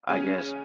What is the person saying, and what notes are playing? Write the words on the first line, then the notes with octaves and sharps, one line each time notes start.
I guess,
C#3 G#3 C#4 G#5